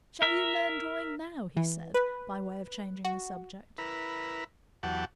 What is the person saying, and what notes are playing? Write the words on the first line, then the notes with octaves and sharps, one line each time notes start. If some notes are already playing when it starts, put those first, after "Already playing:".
"Shall you learn drawing now?" he said, by way of changing the subject.
A#4 E5
E3
B4
F#4
E4 A#4 B4
E2 F#3 G4 F#5 A5